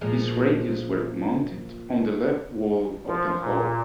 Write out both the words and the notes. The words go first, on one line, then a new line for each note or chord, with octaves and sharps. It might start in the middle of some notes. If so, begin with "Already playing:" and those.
His radios were mounted on the left wall of the hull.
A#2 F3 G#3
F3
A#2